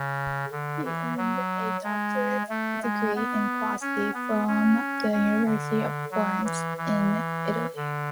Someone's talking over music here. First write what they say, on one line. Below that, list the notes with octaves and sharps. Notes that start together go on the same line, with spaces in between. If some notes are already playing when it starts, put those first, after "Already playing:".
He earned a doctorate degree in philosophy from the University of Florence in Italy.
Already playing: C#3
D3
E3
F#3
G#3
A3
G#3
B3
C#4
B3
C#4
C#4
D3
F#3
E3
E3
D3